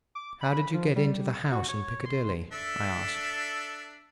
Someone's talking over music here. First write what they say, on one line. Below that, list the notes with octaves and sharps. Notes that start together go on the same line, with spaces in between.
"How did you get into the house in Piccadilly?" I asked.
D6
B5
F3
G3
F#4
C#5
C6
D4 A4 E5